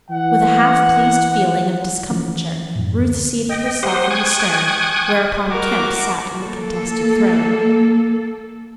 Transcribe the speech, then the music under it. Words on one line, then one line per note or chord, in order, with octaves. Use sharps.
With a half-pleased feeling of discomfiture Ruth seated herself in the stern, whereupon Kemp sat in the contested throne.
E3 F#5
E3 F3 C#4
F#2 A2
D2 B3
D#5 G5
G4 C5 F#5 C6 D#6
G5 G#5 C#6 D#6 F#6 G#6
F#4 A#4 D6
A#3 A4